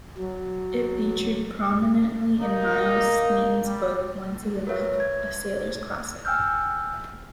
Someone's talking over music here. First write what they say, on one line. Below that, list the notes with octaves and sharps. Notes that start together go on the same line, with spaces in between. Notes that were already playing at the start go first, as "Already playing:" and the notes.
It featured prominently in Miles Smeeton's book "Once Is Enough", a sailor's classic.
F#3
A#3 D#4
G3
A#4 B4 C#5 E5
G#6
G5 G#5 E6 F6 G6